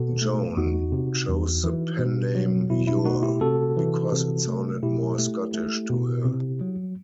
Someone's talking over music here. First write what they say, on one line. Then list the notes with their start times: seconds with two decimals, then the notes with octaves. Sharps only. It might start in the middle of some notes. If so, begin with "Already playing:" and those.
Joan chose the pen-name "Ure", because it sounded more Scottish to her.
Already playing: B2 F#4 A4
0.22 A3
0.57 E2 D#4 F#4
0.92 C3
1.28 E2
1.64 E3
1.99 B2
2.35 F#3
2.70 B2 E4
2.87 E4
3.05 A3 D#4 F#4
3.23 E4 G4
3.41 C3 F#4 A4
3.77 E3
4.12 C3
4.48 A3
4.83 B2 E4 G4
5.18 A3
5.54 A3
5.90 B2
6.25 C3
6.61 F#3